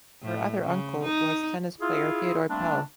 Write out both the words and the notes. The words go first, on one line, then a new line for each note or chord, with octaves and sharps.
Her other uncle was tennis player Theodore Pell.
A2
C#3
D#4
E4 F4 G#4
G3 A3 A#3 C4 D4